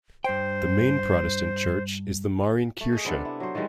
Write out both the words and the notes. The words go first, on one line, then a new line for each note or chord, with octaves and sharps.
The main Protestant church is the Marien Kirche.
G2 C5 G5
A3
G#4 D#5
C3 B3 D4 A4
E4
F#3 C5
D#3 E3 G3 G#3